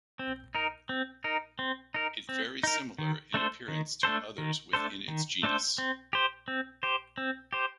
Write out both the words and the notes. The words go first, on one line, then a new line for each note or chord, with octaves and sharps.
It very similar in appearance to others within its genus.
C4
D#4 A#4
C4
D#4 A#4
C4
D#4 A#4
C4
D#4 A#4
D#3
A3 D4 A4 C5
D#3
A3 D4 A4 C5
D#3
A3 D4 A4 C5
D#3
A3 D4 A4 C5
C4
G4 C5
C4
G4 C5
C4
G4 C5